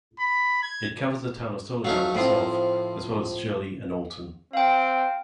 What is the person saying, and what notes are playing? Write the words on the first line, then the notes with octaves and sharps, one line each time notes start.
It covers the town of Solihull itself, as well as Shirley and Olton.
B5
G#6
D2 F#3 A3 C#4 D#4 F5
A2 F3 C4 F4
C4 F5 G5